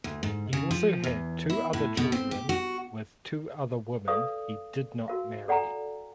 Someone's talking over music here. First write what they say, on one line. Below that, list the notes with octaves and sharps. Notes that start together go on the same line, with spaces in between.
He also had two other children with two other women he did not marry.
D2
G#2
C#3
F3
E2
E4
A2
B2
C4
G4
F#4
A4 B4 D5 F5 D#6
F#4 A#4 F5
A4 D5 F#5 G#5 A#5